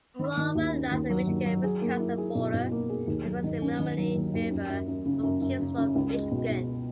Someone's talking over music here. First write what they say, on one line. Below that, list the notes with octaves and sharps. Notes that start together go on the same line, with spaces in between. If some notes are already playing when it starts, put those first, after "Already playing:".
Aurora lies on the Michigan-Wisconsin border, across the Menominee River from Kingsford, Michigan.
D#3
D#3
D#2
C#4
D#2
F#3
D#2
F#3
G#4
A#3
E4
G#4
B2
B2
A#3
G#4
D#2
F#3
D#3
C#4
D#3
F#3
D#2
D#2
F#2
F#2
F#2
C#3
F#2
F#2
C#3
C#3
C#2
G#3
B2
B2